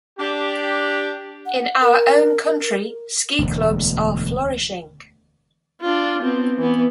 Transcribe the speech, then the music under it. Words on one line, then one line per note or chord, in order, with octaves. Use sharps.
In our own country ski clubs are flourishing.
D4 G4
F#5
A#4
E1 D2
D4 F4
B3 C4
E3 B3